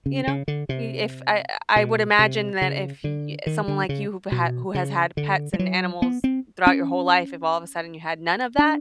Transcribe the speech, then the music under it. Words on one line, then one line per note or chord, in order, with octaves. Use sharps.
you know? Y if I I would imagine that if y eh, someone like you, who who has had pets and animals, throughout your whole life, if all of a sudden you had none of that,
C#3
C#3
D3
C3
B2
C3
C#3
D3
D#3
D3
C#3
B2
C#3
D3
G3
F#3
B3
C4
C#4
D4